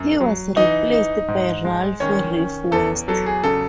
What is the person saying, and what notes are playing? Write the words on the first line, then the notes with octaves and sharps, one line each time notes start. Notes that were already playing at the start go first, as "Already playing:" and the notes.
He was replaced by Ralph "Riff" West.
Already playing: F#2
F#3
E3 D#4 D#5
D#4
G#2
G#3
D#3 C#4 C#5
C#4
E2 A4
F#3 A4
G#4
C#3 A4